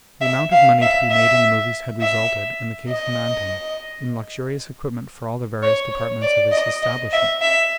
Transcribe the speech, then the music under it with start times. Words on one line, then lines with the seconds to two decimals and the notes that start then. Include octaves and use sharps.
The amount of money to be made in the movies had resulted, in the case of Manton, in luxurious equipment for all the various departments of his establishment.
0.21 E5
0.52 F5
0.82 E5
1.11 E5
2.01 E5
2.92 D#5
5.62 C#5
5.91 C#5
6.22 D5
6.51 D#5
6.83 D#5
7.13 E5
7.42 E5